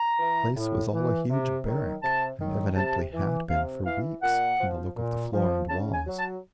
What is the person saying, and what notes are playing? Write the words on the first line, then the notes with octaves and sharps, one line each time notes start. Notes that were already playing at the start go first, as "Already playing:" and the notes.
The place was all a huge barrack, and evidently had been for weeks, from the look of the floor and walls.
Already playing: A#5
E3
A2
E3
C3
D#3 F#3
C3 A5
D#3 F#3
C3 A5
E3
C3 F5
E3 F5
A#2 F#5
F3
A#2
F3
C#3 A5
G#5
F#3
A5